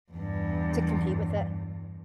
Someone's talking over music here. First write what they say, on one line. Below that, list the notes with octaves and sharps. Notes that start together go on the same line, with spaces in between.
To compete with it.
E2 G2